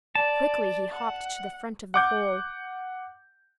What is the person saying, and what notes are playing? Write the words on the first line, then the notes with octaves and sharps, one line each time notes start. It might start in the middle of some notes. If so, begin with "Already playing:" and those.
Quickly he hopped to the front of the hole.
D5 A5
F#5
F#5 D6 G6